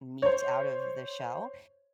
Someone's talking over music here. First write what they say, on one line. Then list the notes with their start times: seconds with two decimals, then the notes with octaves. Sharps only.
meat out of the shell,
0.22 C5 C#5